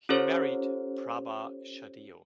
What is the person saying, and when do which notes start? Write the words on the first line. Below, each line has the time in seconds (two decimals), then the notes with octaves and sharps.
He married Prabha Shahdeo.
0.09 C#4 F4 G4 A4 C5 C#5